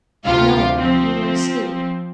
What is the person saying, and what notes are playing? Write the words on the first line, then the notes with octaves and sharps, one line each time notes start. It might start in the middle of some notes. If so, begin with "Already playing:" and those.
"No, you were asleep."
D2 C3 F4 G4 F5
F3 C4